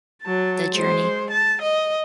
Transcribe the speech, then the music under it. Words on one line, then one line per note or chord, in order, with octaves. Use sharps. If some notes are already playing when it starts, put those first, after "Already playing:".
the journey.
F#3 A5
G#3 C5
A5
D#5